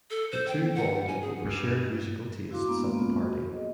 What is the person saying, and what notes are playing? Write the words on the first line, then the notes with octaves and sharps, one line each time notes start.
The two bonded over shared musical tastes at the party.
A4
C5
G5
F#5
G#5
G#4
G2
E4 F#4 F5 C6 D6
G#3 A#3 B3 D4
G#3 A#3 B3 C#4 F4
F#4
G#4 D#5